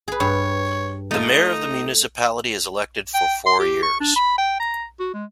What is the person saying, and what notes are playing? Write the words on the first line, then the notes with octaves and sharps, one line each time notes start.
The Mayor of the municipality is elected for four years.
G#4 B4
G2 C#5
A3 D#4 F4
G5
C6
G4
C#6
D4
B5
G5
A#5
F#4
G#3